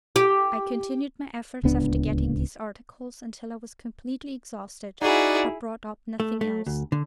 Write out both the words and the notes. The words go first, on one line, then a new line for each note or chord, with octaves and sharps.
I continued my efforts, after getting these articles, until I was completely exhausted, but brought up nothing else.
G4
D1 C#2 B3 D4
D#4 E4 F#4 G#4 D5 F#5
A3
A3
D2
D3